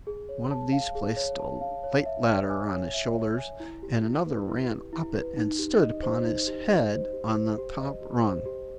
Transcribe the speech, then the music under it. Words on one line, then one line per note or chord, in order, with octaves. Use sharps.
One of these placed a light ladder on his shoulders, and another ran up it and stood upon his head on the top rung.
G#4
C#5
A5
F5
G#4
C#5
A5
F5
C#5
E5
C#5
G#5
C#5
E5
C#5
G#5
E4
G4
E4
B4
E4
G4
E4
B4
D#4
G4
D#5
C5
D#4
G4
D#5
C5
G4
C5
G4
D#5
G4
C5
G4